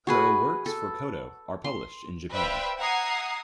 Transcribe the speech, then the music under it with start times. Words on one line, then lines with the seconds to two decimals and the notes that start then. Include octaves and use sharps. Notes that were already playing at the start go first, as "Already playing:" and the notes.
Her works for koto are published in Japan.
0.07 F#4 G#4 B4
0.66 A4
1.64 C6
2.31 B4 C5 D5 E5 F5 G5
2.78 E5 F#5 A#5 D#6 G#6 C7